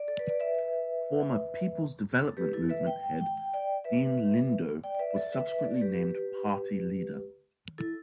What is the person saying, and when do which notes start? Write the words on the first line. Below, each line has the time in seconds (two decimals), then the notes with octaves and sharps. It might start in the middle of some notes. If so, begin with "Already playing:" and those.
Former People's Development Movement head Dean Lindo was subsequently named party leader.
Already playing: D5
0.08 A4
0.19 B4
0.29 D5
0.40 B4 E5
2.28 A4
2.37 G4 B4
2.53 E4 A4
2.69 B4 E5
2.87 G5
3.04 G5
3.21 G5
3.37 G5
3.54 D5 G5
3.84 B4 E5
4.84 D5 G5
4.95 D5
4.99 B4 E5
5.11 E5
5.16 A4 D5
5.32 B4 E5
5.49 B4 E5
5.65 A4 D5
5.81 G4 B4
7.78 E4 A4